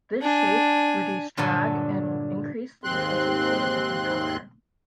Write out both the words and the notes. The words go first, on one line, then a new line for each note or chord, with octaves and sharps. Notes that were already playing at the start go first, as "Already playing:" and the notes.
This shape reduced drag and increased the efficiency of the propeller.
D4 G#5
G2 A#2 D3 F#3 A4 G#5
D#2 G#2 C4 C6 F#6